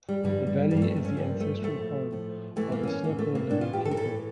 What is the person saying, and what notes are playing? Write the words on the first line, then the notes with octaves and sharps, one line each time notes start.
The valley is the ancestral home of the Snoqualmie people.
G3
G2 D3 F3 G3
G3
G2 F3 G3
A#3
A3
D4
C#4
G2 F3 A#3
A3
A2 F3 A3
A2 F3
A2 E3 A3
A#3
A#3
C#4
A2 E3 A#3
A3
A#3
A2 E3 D4
F4
G4
A4
A#4
A2 E3 A4